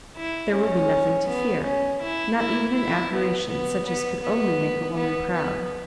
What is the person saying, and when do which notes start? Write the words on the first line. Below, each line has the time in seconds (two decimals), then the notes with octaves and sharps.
There will be nothing to fear, not even an admiration such as could only make a woman proud.
0.16 E4
0.53 C#4
1.28 B3
1.64 C#4
2.02 E4
2.38 E4
2.75 E4
3.12 B3
3.49 B3
3.86 B3
4.23 B3
4.97 B3
5.33 B3